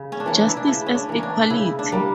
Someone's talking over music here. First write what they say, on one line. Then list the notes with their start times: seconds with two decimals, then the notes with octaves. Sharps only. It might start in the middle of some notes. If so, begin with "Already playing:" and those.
Justice as equality?
Already playing: C#3
0.12 C#4
0.20 D4
0.26 E3 A#3 C#4
0.40 D4
0.48 E4
0.57 D4
0.67 C#3 E4
0.86 C#4
0.95 D4
1.09 E3 A#3
1.18 C#4 D4
1.50 C#3 E4
1.79 D4
1.92 G3 A#3